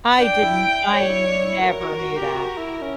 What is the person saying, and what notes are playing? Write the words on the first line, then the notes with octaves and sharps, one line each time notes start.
I didn't I never knew that.
D4 G5
E4
D4 C#5
E4
D4
E4
F#4 A#4
F#4
F#4
G4
F#4
E4
C#4